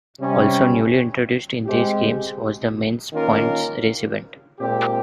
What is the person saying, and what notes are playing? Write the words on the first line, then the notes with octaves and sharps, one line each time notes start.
Also newly introduced in these Games was the men's points race event.
C3 G3 C#4
G#3 C4 G4
D#3 A#3 C#4 F4 A#4
A#2 G#3 C4 G4